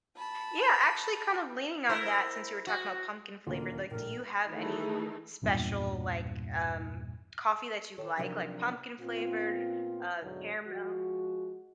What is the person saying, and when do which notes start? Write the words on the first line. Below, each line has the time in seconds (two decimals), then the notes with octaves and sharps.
Yeah, actually, kinda leaning on that since you were talking about pumpkin flavored, like, do you have any special, like, um, coffee that you'd like, like, pumpkin flavored, uh, caramel?
0.17 A5 B5
1.89 E4 A#4 C5
2.67 F#4
3.46 D#1 D2 A#3 F4
3.91 A#1 A2 A#4
4.49 D#3 E3 A3 D#4 G#4 A4
5.42 B1 E2 G2 A#2
7.98 D#3 A4 C#5
8.17 C3 F3 F#3 D4 D#4 A#4
9.00 A#2 B3 C4 F4
10.22 E2 G#2 B2 D3 F#3
10.66 F3 G#3 F#4